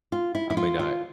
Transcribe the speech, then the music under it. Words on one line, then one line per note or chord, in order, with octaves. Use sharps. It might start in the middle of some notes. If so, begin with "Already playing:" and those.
I may not
F4
E4
E4
F4
F4